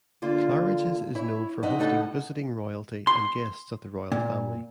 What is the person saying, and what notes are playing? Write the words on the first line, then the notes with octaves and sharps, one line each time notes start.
Claridge's is known for hosting visiting royalty and guests of the Royal Family.
D3 A#3 F4
E4 C#5
F2 D#4 D#5 E5 F#5
A2 C#3 D#4 A4 F#5
C6
A#2